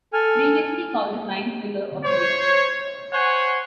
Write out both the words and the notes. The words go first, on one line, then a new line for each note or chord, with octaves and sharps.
Previously called the Crime Thriller of the Year.
A4 G#5 F6
C5 C#5
C5 C#5 F#5 G#5